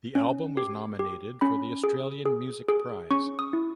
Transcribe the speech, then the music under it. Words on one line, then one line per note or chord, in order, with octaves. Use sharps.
The album was nominated for the Australian Music Prize.
C#4
G4
G4
C#4 B5
G#4
G#4
G#4
C#4 C#6
D#6
E4